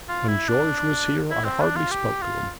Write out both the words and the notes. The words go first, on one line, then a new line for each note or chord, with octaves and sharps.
When George was here, I hardly spoke to him.
F4
E4
D4
E4
C4
D4
F4
G4
F4